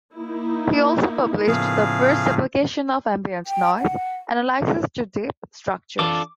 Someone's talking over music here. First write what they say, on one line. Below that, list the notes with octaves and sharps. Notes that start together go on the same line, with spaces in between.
He also published the first application of ambient noise analysis to deep structures.
A#3 D#4 E4
A2 C#3 F3 B3 G#4 F5
G5
F#5
E3 D4 F4 A4 D6